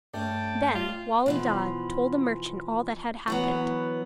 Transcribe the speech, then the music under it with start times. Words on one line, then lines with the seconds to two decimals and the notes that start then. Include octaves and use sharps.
Then Wali Dad told the merchant all that had happened.
0.14 G2 A3 C#4 D5 G5 A5
0.75 F4
1.26 B2 E3 F3
3.28 E3 F#3 B3